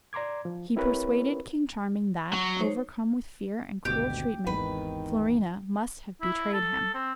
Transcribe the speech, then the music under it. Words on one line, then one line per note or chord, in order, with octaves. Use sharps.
He persuaded King Charming that, overcome with fear and cruel treatment, Florina must have betrayed him.
D5 A#5 C6 D6 G#6
F3
C4 E4 G4 A#4 B4 C#5
F#3
D#4 C5 C#5
G#1 D2 B2 G4
G#1 E2 D#3 B4
E4
A4
C4